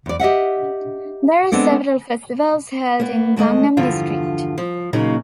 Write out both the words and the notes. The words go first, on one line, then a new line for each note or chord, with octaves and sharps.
There are several festivals held in Gangnam District.
E2 D5
G4 D#5 E5 F#5
G#3 B3 C4 D4 A4
A#3 B3
D#2 G#3 A3 D#5
E2 G2 D3 F3 F4
F3
A#2 C#3 F#3 A#3 D#4